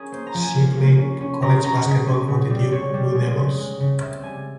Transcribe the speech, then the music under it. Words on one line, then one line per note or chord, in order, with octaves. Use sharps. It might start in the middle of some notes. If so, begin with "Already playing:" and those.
She played college basketball for the Duke Blue Devils.
Already playing: C#4 G#4 A#4
A#3 C5
A#5
F3
G#5
A#3
A#3
C#4
C#4
C#3 A#5
C#4 A#5
C#3
C#4
C#3
G3
C4 C#5
G3
G#3
C#3
G#3
C#3
C4 E5
G3 G#5